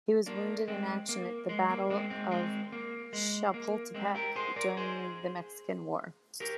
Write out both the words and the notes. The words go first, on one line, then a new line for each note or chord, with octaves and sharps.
He was wounded in action at the Battle of Chapultepec during the Mexican War.
A#3 D4
G#3 C4
A#3
G#3
A#3
G#3 C4
G#3 C4
G#3 C4
A#3
G#3
A#3
G#3 C4
G4 A#4
G#4 C5
A#4 D5
G#4 C5
G4 A#4